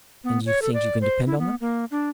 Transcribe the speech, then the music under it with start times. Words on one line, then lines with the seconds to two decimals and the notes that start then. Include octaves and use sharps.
"And you think you can depend on them?"
0.24 B3
0.46 C#5
0.62 A4
0.74 D5
1.01 C5
1.26 E4
1.39 B3
1.61 A#3
1.91 D4